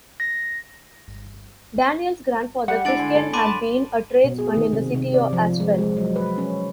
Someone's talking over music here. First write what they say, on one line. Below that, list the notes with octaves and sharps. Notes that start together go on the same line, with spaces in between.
Daniel's grandfather Christian had been a tradesman in the city as well.
A#6
G3 F#5
D3 G#3 D4 E4 A6 D7 F#7
G#5 C6
A4 C#5
F#5 A5 B5 C6 D6 D#7
B2
G#4
D#3
C3
C3
D5
F3
G#3
G#3
F#3
B4
C#4